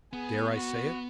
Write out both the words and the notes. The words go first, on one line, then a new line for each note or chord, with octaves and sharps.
Dare I say it?
B3 G#4
F#4